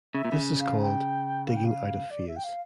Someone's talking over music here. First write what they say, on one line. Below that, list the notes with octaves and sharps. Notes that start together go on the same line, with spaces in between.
This is called "digging out of phase".
C#3 E5
A#2
C#3
F5
G5
F5
G5
F5
D5
E5
G5
F5